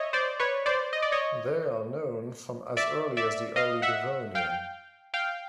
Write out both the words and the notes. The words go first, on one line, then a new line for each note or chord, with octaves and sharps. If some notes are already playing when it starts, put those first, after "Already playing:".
They are known from as early as the Early Devonian.
Already playing: C#5 D#5 E5
C5 D5
B4 C#5
C5 D5
D#5
D5
C#5 D#5
D5 E5
D5 E5
D#5 F5
E5 F#5
F5 G5
F5 G5